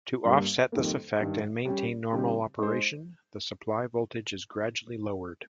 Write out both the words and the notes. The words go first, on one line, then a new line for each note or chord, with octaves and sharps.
To offset this effect and maintain normal operation, the supply voltage is gradually lowered.
G2 G3 A#3
F2 D#3 G3 A#3
G2 D#3 G3
G3 C#4 G4
C#3 G3 C4 D#4 G4
G#3 D#4 G#4 C5